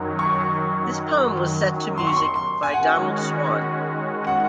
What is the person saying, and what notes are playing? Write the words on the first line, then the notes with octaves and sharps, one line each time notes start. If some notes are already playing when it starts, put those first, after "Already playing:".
This poem was set to music by Donald Swann.
Already playing: F#2 D#3 F#3
C#6
C6
C#6
C6
C6
G#5
D#3 G#3 C#4 F#4 F#5
F#5